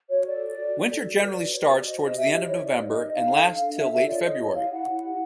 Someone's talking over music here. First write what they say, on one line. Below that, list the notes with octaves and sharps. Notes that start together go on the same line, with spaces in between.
Winter generally starts towards the end of November and lasts till late February.
F#4 C#5
A4 D5
F#4
F#4
F#4
A4 D5
F#4
B4
B4
F#4 C#5
F#4 D5
C5 D#5
G4 D#5
G4 E5
E4 D#5
C5 C#5
G4 D5
D#4 D#5
D#4
D4 F5
A4
D4
D4
A4 E5
F4 E5
C#5 D5
C#5 D#5
G4
E4 F5
E4 F#5
E4
G4